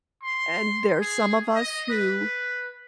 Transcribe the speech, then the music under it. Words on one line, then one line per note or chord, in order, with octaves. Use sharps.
and there are some of us who
C6
G#4
D#5
B4